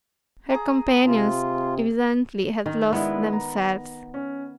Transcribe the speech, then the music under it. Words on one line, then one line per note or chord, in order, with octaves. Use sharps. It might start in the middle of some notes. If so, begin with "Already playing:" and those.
Her companions, evidently, had lost themselves.
G#4 A#5
C3 F4
D#3
G#3 B3 D4 E4
A#5
C#4